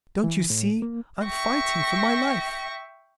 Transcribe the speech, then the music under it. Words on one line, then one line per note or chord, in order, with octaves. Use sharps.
Don't you see I'm fighting for my life?
E3
A2
A#3
E5 G5 C#6 A#6